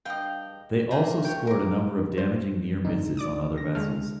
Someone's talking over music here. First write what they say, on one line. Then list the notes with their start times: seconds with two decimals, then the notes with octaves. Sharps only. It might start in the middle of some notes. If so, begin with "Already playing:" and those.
They also scored a number of damaging near misses on other vessels.
0.05 G2 D#5 F5 G5
0.91 A3 A#3 F4 A#5
1.25 C#5 G5
1.47 A#4 D6
2.18 C5
2.85 D2 G#2 D3 D#4
3.17 D5 D6 D#6
3.56 D3 A#6
3.75 D3 G#3 A3 F6